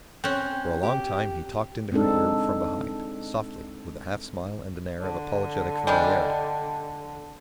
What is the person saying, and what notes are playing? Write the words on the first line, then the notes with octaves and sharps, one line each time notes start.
For a long time he talked into her ear from behind, softly, with a half smile and an air of apologetic familiarity.
C4 C#4 G5 F#6 G6
G4
G#3 C4 D4 D#4 A4
D3
G3 G#3 D4